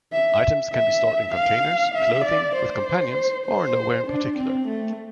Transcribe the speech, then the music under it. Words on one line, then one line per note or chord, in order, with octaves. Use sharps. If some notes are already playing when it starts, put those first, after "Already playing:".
Items can be stored in containers, clothing, with companions, or nowhere in particular.
E5
E5
F5
E5
D5
C5
C5
D4
C4
A3